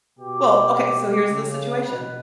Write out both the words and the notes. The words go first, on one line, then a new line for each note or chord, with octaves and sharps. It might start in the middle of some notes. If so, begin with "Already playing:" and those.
Well, okay, so here's the situation,
B2 G4
C#3
B2 B4